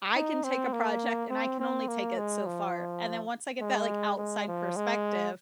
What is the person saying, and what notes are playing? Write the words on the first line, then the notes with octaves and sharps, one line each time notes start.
I can take a project and I can only take it so far, and then once I get that, like, outside perspective,
D#4
C4
A#3
C4
C4
A#3
G#3
F3
G#3
G#3
F3
G#3